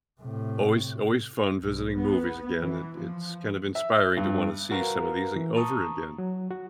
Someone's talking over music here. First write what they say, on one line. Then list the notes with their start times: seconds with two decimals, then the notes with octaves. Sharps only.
Always always fun visiting movies again, it it's kind of inspiring to wanna see some of these a over again.
0.21 A2 C3
1.61 B1
1.96 B3
2.61 E3
2.96 F3
3.75 E5
4.17 G2
4.71 F#4 A#4 B4 F5 A#5
5.36 E3
5.56 A5 A#5 C#6 D#6
6.18 F#3
6.50 F#4